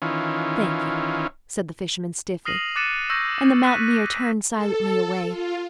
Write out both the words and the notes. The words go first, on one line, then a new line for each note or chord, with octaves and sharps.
"Thank you," said the fisherman stiffly, and the mountaineer turned silently away.
D#3 E3 C#4 F4
D#6 F6 A#6 C7 D#7 F#7
D6 F#6 A6 C#7 D#7 E7
C#6 E6 G6 A#6
E6 F#6 B6 D#7
A4
F4